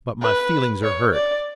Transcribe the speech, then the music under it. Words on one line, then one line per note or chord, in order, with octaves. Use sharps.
But my feelings are hurt.
B4
C#5
D5